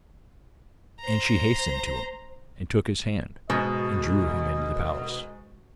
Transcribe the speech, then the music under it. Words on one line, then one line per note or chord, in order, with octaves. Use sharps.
And she hastened to him, and took his hand, and drew him into the palace.
C5 A#5
G#2 B2 D#5